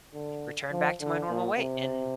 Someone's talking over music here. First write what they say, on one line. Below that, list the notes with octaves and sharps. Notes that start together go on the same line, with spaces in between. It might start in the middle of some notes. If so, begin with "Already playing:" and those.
returned back to my normal weight in
D3
F3
D3
A#2
C3